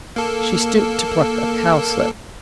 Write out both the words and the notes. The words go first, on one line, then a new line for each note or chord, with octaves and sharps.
She stooped to pluck a cowslip.
A#3 A4